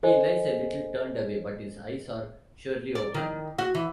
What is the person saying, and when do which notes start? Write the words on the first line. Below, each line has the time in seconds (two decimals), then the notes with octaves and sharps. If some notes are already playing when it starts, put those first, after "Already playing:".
He lies a little turned away, but his eyes are surely open.
0.03 A4 C5 D#5 G#5
2.95 D5
3.14 D#3
3.59 F#4
3.75 E3